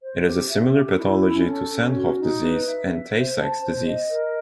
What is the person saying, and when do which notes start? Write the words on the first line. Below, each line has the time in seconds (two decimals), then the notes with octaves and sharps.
It has a similar pathology to Sandhoff disease and Tay-Sachs disease.
0.03 C5
0.26 G4
0.50 E5
0.75 G4
0.98 E4
1.22 C#4
1.45 A4
1.70 C#4
1.94 F#4
2.18 D#4
2.42 B4
2.66 E5
2.90 E5
3.13 C5
3.37 A5
3.62 C5
3.86 D#5
4.10 A#4